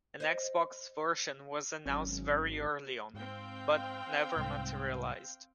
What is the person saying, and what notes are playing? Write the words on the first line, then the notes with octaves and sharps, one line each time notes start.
An Xbox version was announced very early on, but never materialized.
C5 D#5
G#1 F#3 C#4
G#2 C4 F5 G5
C2 G#2